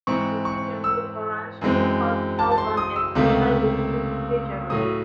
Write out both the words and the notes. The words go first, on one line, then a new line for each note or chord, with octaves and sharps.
The Pigeon River runs through Port Sheldon and discharges into Pigeon Lake.
G#2 E3 C4 C#6
C#6
E6
F#2 E3 G#3 C4
A5
A5
C6
D#6
E6
C#2 C3 D#3 A3
A2 F#3 A3 D#6